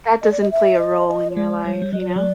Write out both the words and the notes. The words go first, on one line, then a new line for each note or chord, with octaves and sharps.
that doesn't play a role in your life, you know?
D#5
D5
D#5
E5
D#5
D#5
C#5
G#3 D5
G3 C#5
G3
F#3 D#5
D5
C#5
F#3 D5